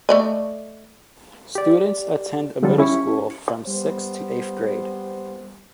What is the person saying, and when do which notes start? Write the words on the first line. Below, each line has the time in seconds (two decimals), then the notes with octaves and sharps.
Students attend a middle school from sixth to eighth grade.
0.09 A3 D5 D#5
1.55 G4 D5
2.63 D3 F#3 G3 D4 F4 A4
2.78 C#4 E4 G4 C#6
3.67 G3 B3 C5